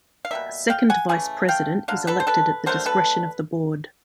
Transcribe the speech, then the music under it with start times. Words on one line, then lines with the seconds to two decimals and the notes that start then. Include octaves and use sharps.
A Second Vice president is elected at the discretion of the Board.
0.25 F5
0.31 B2 G3 A#3 E5
0.70 F5 G5
0.90 F#5 G#5
1.09 C#3 E3 A3 G#5
1.48 F5 G5
1.88 D3 F#3 F5
2.07 A4 B4
2.20 C5
2.27 A4 B4
2.66 D3 F#3 A3 A#4 C5
2.86 A4 B4